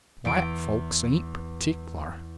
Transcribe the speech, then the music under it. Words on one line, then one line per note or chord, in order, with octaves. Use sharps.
White folks ain't partic'lar.
E2 D7